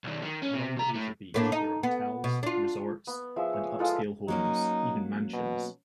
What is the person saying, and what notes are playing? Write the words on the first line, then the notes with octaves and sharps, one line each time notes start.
Along the Asia Beach there are hotels, resorts, and upscale homes, even mansions.
B1 D#3
D#3
C#4
C3
C3 A#5
A2
A2 A#3 D4
D#4
B3
B2
D4 F4
B3
F3 G#4 E5
C#5
G#3 F4 A4
F#3 A#3 C#4 D#4
B2